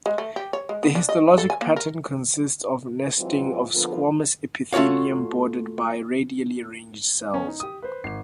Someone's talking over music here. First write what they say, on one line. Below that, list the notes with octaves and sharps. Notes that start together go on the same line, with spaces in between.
The histologic pattern consists of nesting of squamous epithelium bordered by radially arranged cells.
G#3
A3
G4
C#5
G#3
B3
D4
D#5
A4
G#5
A#3
A#4
E3 F#3 G#3 C4 F4
D3 F3 A#3 B3 F4
A3 F4 F#4 C#5 F5
B3 C#4 G#5
D#4
G4 D#6
B4 C5
G#1 C7